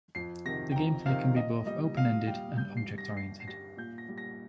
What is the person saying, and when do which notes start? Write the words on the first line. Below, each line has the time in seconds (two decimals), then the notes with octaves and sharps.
The gameplay can be both open-ended or object-oriented.
0.15 F2 C7
0.45 C3 D#3 A#6
0.72 G5
0.76 F2 A#5
1.06 C3 D#3 F5
1.36 A#2 D#5
1.66 G3 D#5
1.97 A#2 F5
2.27 G3 G5
2.57 G2 G6
2.77 C7
2.87 G3
2.98 A#6
3.17 G2 C7
3.40 C7
3.48 G3 A#6
3.77 A#2 G6
3.98 A#6
4.09 G3
4.18 A#6